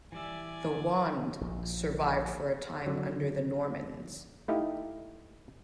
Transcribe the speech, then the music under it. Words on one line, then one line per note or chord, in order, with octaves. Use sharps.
The 'wand' survived for a time under the Normans.
E3 G3 D5 E5 G#5
A#1
D3 F#3
A3 D#4 E4 G4 D#5 F5